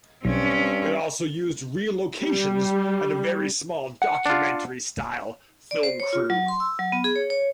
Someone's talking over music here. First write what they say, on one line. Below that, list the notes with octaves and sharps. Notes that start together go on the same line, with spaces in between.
It also used real locations, and a very small documentary-style film crew.
B1 G2 C4 C#4
G3
F#5
D4 F4
D5
C5
C#5
F4
F#3
C6
E6
F#3
B3
G#4
C#5
C#5